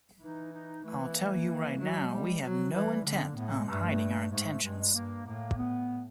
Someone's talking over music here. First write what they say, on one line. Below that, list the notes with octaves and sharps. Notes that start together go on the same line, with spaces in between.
I'll tell you right now, we have no intent on hiding our intentions.
E3 D#4
D#4
E3 A3
B3
A#3
A3
A#3
F#3 G3 A3
G#3
G#3
G3
F3 F#3
E3 G3
D3 G#3
B3
A#3
A2 B3
A#3
G#3
G2 A3
A3
G#2 A3
G2 G#3
G#3
G2 A#3
A2 A#3
B3